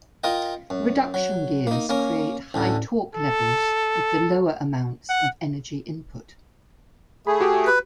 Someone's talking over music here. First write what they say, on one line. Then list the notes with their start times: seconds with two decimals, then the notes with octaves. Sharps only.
Reduction gears create high torque levels with the lower amounts of energy input.
0.24 F4 A#4 D#5 G5
0.70 F#2
1.14 F#3
1.67 A#3 D#4
1.89 A#3 C#4 A#4
2.54 A1 D2 D3
3.15 A4
5.09 F#5
7.27 A3 G#4 B5
7.41 F#4 G4
7.67 B4